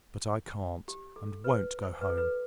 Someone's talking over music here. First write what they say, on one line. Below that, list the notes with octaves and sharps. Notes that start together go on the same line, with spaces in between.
But I can't, and won't, go home.
G4
A4
B4
C5
B4
A4
B4